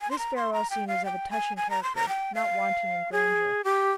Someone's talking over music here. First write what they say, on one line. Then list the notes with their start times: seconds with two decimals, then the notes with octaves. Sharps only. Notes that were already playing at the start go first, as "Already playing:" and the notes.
This farewell scene was of a touching character, not wanting in grandeur.
0.01 G#5
0.11 C6
0.18 A#5
0.36 C6
0.53 A#5
0.70 G5
0.88 F5
1.05 G5
1.31 G#5
1.57 G#5
1.70 A#5
1.83 C6
1.95 A#5
2.08 G5
2.35 F5
3.12 G#4
3.64 G4